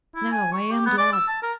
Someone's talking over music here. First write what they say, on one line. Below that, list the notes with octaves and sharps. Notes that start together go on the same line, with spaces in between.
Now I am glad!'
E4
G#5
C#6
G4
B3
D5
E6
A5
A#4